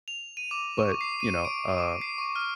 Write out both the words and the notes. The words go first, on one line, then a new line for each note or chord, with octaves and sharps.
but, you know, a
F7
D#7
D6
C#6
C7
D#7
D7
D6
C7
C#6
F6